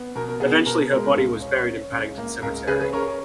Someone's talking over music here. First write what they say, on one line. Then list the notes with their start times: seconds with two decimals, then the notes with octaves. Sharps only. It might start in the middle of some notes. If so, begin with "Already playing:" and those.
Eventually her body was buried in Paddington cemetery.
Already playing: B3
0.16 B2 A#4
0.28 A#4
0.40 B3 G#4
0.66 B2 A#4
0.91 G#3 A#4
1.17 C#2
1.42 C#4
1.67 C#4
1.92 C#2
2.18 A#3
2.42 C#2 A#4
2.67 C#3 G#4 B4
2.80 G#4 B4
2.93 C#4 A#4 C#5